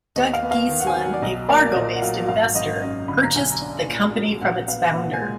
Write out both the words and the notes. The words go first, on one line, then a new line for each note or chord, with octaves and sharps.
Doug Geeslin, a Fargo-based investor, purchased the company from its founder.
D#2 D#5
F5
B3
F5
D#3
F#5
G#5
F#3
F#5
D5
B1 D#5
A#3 D5
D5
A#2 D#5
F#5
F#3 F5
G#1 F5
G#1 D#5
F#2 D#5
D3 B5
A#5
B1 G#5
A#5
D4
A#2
F#3
A#1 F#5
F#5
B3 F5
A#2 F#5
G#5
G#3